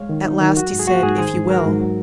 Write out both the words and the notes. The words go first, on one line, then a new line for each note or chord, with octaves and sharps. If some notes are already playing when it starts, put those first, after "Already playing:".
At last he said, "If you will."
Already playing: G#3 C#5 F5
D#3
D#4
D#3
F#3 F#4
G#2
G#4
A#3 F#4
G#2 G#4
D#3 G#4 C5
G#2
F#3 F#4 A#4
G#2
F#3